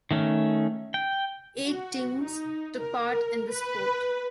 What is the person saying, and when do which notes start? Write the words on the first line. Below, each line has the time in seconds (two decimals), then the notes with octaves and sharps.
Eight teams took part in this sport.
0.11 D#3 A3 C#4
0.94 G5
1.67 F#4
2.22 D#4
2.78 A#4
3.51 B4